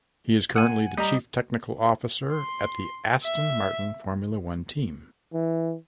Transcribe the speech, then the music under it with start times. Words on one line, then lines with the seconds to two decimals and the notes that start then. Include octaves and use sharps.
He is currently the chief technical officer at the Aston Martin Formula One team.
0.56 F#5 G#5
0.97 G3 D#5 A#5
2.31 C6
3.23 E5
5.34 E3